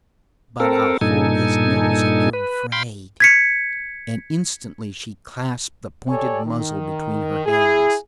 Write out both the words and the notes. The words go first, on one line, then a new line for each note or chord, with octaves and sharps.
"But I'll hold his nose if you're afraid." And instantly she clasped the pointed muzzle between her hands.
C4 A4 A#4
G2 A#2 D#4 A4 G#5
B4
F5 G5 B5 C6
G#6 B6 C#7
G4 A4 C#5 D5 G#5
D#3
E4 G#4